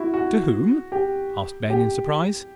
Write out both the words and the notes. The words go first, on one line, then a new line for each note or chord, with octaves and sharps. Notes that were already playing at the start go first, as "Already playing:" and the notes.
"To whom?" asked Ben, in surprise.
Already playing: E4 F#4
F#4
G4
G4